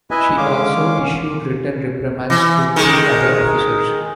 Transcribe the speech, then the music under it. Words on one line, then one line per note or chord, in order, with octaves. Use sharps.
She also issued written reprimands to two other officers.
E4 B4 D#5 E5 G#5
D3 G#3 C#4 F5 D6
E3
D#3 G#3